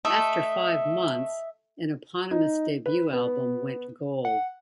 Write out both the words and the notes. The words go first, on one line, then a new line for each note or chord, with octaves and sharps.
After five months, an eponymous debut album went Gold.
A3 D#5 E5
D#4
B4
B3
F#5